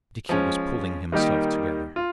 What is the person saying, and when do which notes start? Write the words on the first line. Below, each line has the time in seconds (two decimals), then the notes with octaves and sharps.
Dickie was pulling himself together.
0.29 F3 G#3 C#4
1.12 D#3 G3 A#3 D#4 G4
1.96 F4